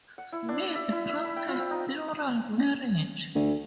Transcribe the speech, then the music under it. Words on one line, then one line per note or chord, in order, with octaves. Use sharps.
Smith practiced plural marriage.
F#5
E4
D4
D5
E5
E4
E5
B5
G5
F4
C4
D#4
D2